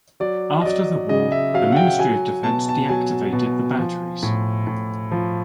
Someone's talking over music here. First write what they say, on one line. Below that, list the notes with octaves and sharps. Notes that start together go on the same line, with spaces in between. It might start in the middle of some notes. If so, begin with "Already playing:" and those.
After the war, the Ministry of Defence deactivated the batteries.
F#3 D5
D#5
F#3 D5
C#3 D#5
E5
F#3 F5
F#5
G5
F#3 G#5
B2 A5
A5
F#3 G#5
B2
F3
A2
A2
F3